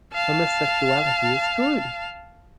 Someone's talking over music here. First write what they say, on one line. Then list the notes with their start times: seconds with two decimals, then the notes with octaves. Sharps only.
Homosexuality is good!
0.13 F5 A5